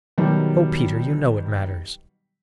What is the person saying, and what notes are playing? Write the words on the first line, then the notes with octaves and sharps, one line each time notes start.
"O Peter, you know it matters."
B2 D#3 F#3 G3